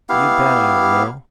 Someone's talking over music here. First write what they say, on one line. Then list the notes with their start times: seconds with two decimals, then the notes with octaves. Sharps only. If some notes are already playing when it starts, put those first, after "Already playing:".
You bet I will!
0.09 B3 E4 G4 F5